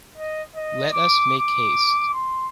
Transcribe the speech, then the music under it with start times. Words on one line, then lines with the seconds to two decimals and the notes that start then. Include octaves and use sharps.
Let us make haste.
0.18 D#5
0.56 D#5
0.93 D6
1.38 D6
2.14 C6